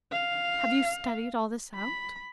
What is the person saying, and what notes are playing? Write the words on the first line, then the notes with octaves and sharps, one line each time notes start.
"Have you studied all this out?"
F5
B5